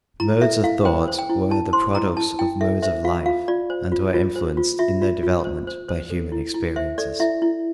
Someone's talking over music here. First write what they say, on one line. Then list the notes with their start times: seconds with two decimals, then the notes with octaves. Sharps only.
Modes of thought were the products of modes of life and were influenced in their development by human experiences.
0.20 E4 A#5
0.42 A4 E5
0.64 E4 F5
0.85 C5 G5
1.08 C5
1.19 G5
1.29 E4
1.51 E4 A5
1.73 C5 C6
1.95 E4 A#5
2.17 E4 A5
2.39 E4 G5
2.61 A4 E5
2.82 C5 E5
3.04 F4 F5
3.26 F4 F5
3.48 F4 D5
3.70 C5
3.92 F4
4.14 F4
4.36 C5
4.57 F4
4.79 F4 E5
5.02 F4
5.23 F4
5.45 C5
5.67 C5
5.88 C5
6.10 A4
6.32 E4
6.54 E4
6.76 C5 E5
6.98 A4 D5
7.20 E4 E5
7.42 E4